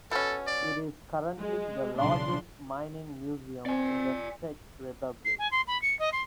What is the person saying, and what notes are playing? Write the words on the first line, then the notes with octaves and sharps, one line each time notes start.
It is currently the largest mining museum in the Czech Republic.
B2 C#4 A4
D5
G#3
B1 C#3 D4 C6
C4 D5 G#5
C7
G#5
C6
B5
C#7
D#5
C6